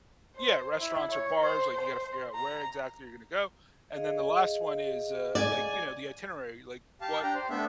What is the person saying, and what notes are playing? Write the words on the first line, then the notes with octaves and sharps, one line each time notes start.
Yeah, restaurants or bars, like, you gotta figure out where exactly you're gonna go, and then the last one is, uh, like, you know, the itinerary, like, what
C5
E4
C#5
C5
C5
A#5
G#4 D#5 F5
D5 G#5
G4 F5 A5
D4 G4 G5 A#5
C5
A3 B3 D4 A4 E5